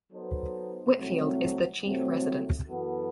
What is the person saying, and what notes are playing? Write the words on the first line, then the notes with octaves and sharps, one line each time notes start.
Whitfield is the chief residence.
F#3 B3 D#4 A4 C5
C2 C3 F#3 A3 C4
C2 C3 F#3 A3 C4
F#2 E3 B3 F#4 A4